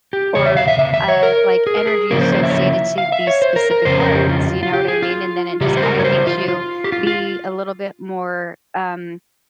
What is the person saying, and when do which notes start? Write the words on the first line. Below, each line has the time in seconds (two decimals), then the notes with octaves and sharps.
or, uh, like, energy associated to these specific words, you know what I mean? And then it just kinda makes you be a little bit more, um,
0.13 G4
0.35 E2 C#3 C#5
0.46 E5
0.57 F5
0.68 E5
0.79 E5
0.94 E5
1.08 C#5
1.23 A#4
1.67 G#4
1.77 A#4
1.87 G#4
2.11 C#3 F3 A#3 C#4 E4 A#4
2.21 C5
2.32 C5
2.43 E5
2.50 C#5
2.54 E5
2.98 F5
3.12 E5
3.27 C#5
3.42 C5
3.56 A#4
3.71 A#4
3.85 F2 C#3 C#4 C5
4.00 A#4
4.15 G4
4.29 F4
4.63 F4
4.73 G4
4.88 G#4
5.02 F4
5.61 C#3 E3 G3 E4 G4
5.77 C5
5.83 A#4
5.99 C#5
6.05 C5
6.27 F4
6.48 F4
6.84 G4
6.92 F4
7.07 F4